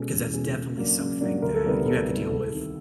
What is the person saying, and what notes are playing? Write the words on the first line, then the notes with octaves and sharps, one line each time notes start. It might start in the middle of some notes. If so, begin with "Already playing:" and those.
'cause that's definitely something that you have to deal with,
Already playing: B2 G#3 C#4 A4
E2
B2 G#3 C#4
C#3
F#3 A#3 D4
C#3
F#3 A#3 D4
D2 A#4
A4
C3 D#3 G3 B3 A#4
D2 A4
C3 D#3 G3 B3
C2 A4
C3 D#3